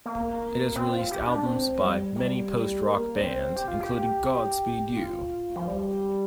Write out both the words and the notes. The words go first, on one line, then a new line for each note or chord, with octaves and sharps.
It has released albums by many post-rock bands, including Godspeed You!
A#3
C4
F4
G4
D4
C4
G3
G3
A#3
D4
C4
G4
F4
G4
F4
F3
G3